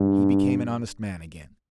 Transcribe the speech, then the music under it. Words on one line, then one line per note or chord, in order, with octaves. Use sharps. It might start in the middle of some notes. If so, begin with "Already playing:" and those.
"He became an honest man again!"
Already playing: G2